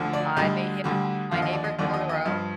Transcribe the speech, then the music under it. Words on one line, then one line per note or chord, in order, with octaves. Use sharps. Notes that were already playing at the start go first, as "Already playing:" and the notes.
I made him watch My Neighbor Totoro.
Already playing: D2 D3 F3
D5
D2 D3 G3 D#5
D2 D3 G3
D#2 D3 F3 F5
D#5
D5
D#5
D#2 D3 F3 D5
D#5
D#5
G2 F3 D#5